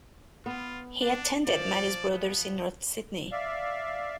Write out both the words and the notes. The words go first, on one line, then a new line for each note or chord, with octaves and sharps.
He attended Marist Brothers in North Sydney.
B3 F4
D4
F3 D5
B3
D5 E5 F5